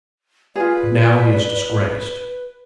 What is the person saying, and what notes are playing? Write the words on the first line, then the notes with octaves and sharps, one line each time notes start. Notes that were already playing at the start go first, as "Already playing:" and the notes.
But now he is disgraced.
F4 G#4 B4 D5